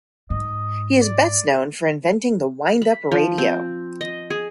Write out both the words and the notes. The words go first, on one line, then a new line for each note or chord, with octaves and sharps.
He is best known for inventing the wind-up radio.
G#2 D#5
D5
B5
F3
C4
D#5
G#4